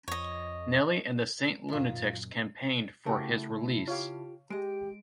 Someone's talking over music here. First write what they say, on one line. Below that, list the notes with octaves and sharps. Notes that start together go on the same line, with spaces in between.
Nelly and the Saint Lunatics campaigned for his release.
F2 C#5 D#5
F#2 A#2 D#3 F4
C#3 A3 A#3 E4 F#4 G4 A#4 A5
F4 G4 C#5 F5
G#3 G4 D#5 D7